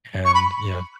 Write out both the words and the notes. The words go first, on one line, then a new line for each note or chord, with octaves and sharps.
and, you know
C#6
B5